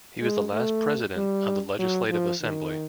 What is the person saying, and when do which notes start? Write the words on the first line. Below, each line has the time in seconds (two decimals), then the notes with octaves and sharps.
He was the last president of the Legislative Assembly.
0.22 G#3
0.53 A3
1.17 G3
1.79 F#3
2.10 F3
2.42 D#3